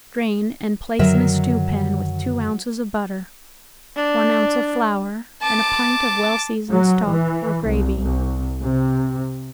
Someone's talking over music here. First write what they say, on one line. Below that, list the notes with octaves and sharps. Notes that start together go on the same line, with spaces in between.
Drain and place in a stew pan with two ounces of butter, one ounce of flour and a pint of well seasoned stock or gravy.
F#2 D3 D#3 F#3 A#4 E5
D4
A5 D6
F#3
E3
C2
C2
C3